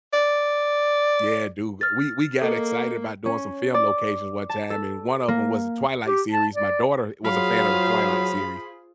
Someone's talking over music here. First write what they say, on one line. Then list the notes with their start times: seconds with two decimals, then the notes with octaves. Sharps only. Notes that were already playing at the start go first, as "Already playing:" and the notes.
Yeah, do g we we got excited about doing some film locations one time, and one of 'em was the Twilight series- my daughter was a fan of the Twilight series-
0.13 D5
1.81 F6 A6
2.42 A#3 A4 D#5
3.26 C#4
3.74 D5
4.50 A5
4.70 A4
5.28 A#3
6.07 G4
6.31 A5
6.55 D5
7.25 F#3 F4 G#4 C5 F5 B5